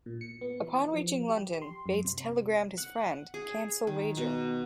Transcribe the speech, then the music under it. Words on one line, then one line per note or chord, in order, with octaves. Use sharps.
Upon reaching London, Bates telegrammed his friend, Cancel wager.
A#2
C#7
B3
E3
F3
G4
C6
F#2
C3
F#5
G#4
D#3
B2